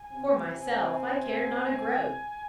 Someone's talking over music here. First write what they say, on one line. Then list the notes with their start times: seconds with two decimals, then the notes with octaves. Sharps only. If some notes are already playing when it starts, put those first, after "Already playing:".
For myself, I cared not a groat.
Already playing: G#5
0.11 C3 C4
0.56 C3 C4 G#5